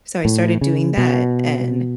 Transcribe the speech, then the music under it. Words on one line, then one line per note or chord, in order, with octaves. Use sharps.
So I started doing that, and
A2
C#3
B2